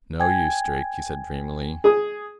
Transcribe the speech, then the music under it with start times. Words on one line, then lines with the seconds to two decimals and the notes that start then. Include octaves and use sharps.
"No use, Drake," he said dreamily.
0.20 G5 G#5 G#6
1.84 G#4 D#6